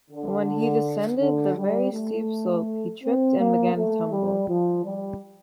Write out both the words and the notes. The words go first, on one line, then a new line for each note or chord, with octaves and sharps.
When he descended the very steep slope, he tripped and began a tumble.
D3
D3
G3
A3
C4
A#3
A3
G3
F3
G3